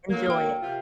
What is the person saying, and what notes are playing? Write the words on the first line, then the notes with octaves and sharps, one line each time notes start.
Enjoy it.
D2 F#3 A#3
A#4 G5
C3 F4